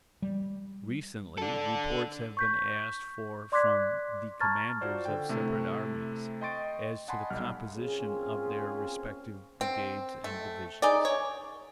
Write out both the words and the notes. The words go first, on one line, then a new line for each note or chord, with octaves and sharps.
Recently reports have been asked for from the commanders of separate armies as to the composition of their respective brigades and divisions.
G3
D4 A4
C#6 G6 B6
D5 C6 D6 F#6 G#6 B6
A5 A#5 C#6 F6 G#6 A6
F4 F#4 C5 D5
D3 G5
C3 A3 E4
D#5 G5 C6 C#6 A6 D7
D#5 F#5 G#5 A5 B5 C6
B1 G3 F6
A#3 C4 C#4 F4 G#4
C4
A3
D#4 G#4 D5
C#5